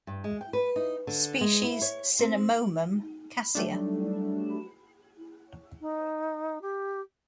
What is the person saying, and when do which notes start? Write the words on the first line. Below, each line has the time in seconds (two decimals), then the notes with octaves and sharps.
Species: Cinnamomum cassia.
0.07 G2
0.24 G#3
0.41 G5
0.53 B4
0.76 D#4
1.07 D3
1.41 G#3
1.62 E4
1.82 C#5
2.19 C4
3.55 F#3 G3 A3 D4
5.81 D#4
6.61 G4